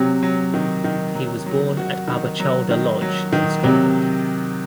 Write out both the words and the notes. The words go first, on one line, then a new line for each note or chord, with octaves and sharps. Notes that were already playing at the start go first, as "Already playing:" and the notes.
He was born at Aberchalder Lodge in Scotland.
Already playing: C3 F#3
F#3
D#3
D#3
F#3
F#3
F#4
D#3
F#3
D#3
F#3
D#3
C3 F#3